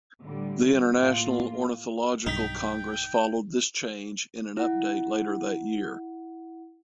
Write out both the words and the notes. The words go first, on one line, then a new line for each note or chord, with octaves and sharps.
The International Ornithological Congress followed this change in an update later that year.
A2 D3 G3
A2 A#3 F4
B1 G2 D#4 G5 B6 F7
E4 F#5